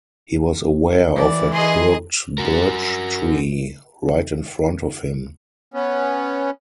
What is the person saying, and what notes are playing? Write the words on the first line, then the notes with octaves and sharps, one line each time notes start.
He was aware of a crooked birch tree right in front of him.
E3 D5
G#4 D#5 C6
F#4 A#4
B3 C#4